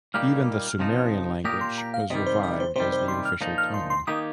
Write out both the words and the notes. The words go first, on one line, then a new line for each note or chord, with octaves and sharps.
Even the Sumerian language was revived as the official tongue.
A#2 G3 A#3 D#4 G4 F6
C3 F3 D#4
A#2 A#3 G4 A#4 D#6
C6
A#5
F5
C3 D#3 G3 D#5
C5
D#5
C5
C3 D#3 G3 C5
C5
C6
F6
A#2 F3 D#4
F6
C6
C6
D#3 A#3 D#4 G4 D#6